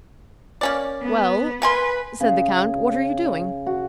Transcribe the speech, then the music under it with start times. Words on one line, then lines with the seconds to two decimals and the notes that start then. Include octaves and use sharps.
"Well," said the count, "what are you doing?"
0.61 A#3 C#4 D5
1.02 B3
1.62 A#3 B4 G#5 C6
2.20 C#3
3.66 F#4